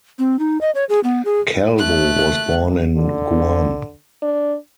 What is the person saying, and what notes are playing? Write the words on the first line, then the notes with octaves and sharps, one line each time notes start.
Calvo was born in Guam.
C4
D#4
D#5
C#5
G#4
B3
G#4
A3 F#6
D3
D4